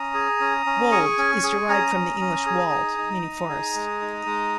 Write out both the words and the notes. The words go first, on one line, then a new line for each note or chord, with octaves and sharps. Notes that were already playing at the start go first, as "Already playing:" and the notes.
Wold, is derived from the Old English "Wald" meaning "forest".
Already playing: C#4 A#5 D#6
G#4
C#4
C#4
G#4 G#5 C#6
C#4
G#4
C#4 A#5 D#6
C#4
C#4
G#4
D#4
D#4
D#4
G#4
G#3
D#4
G#3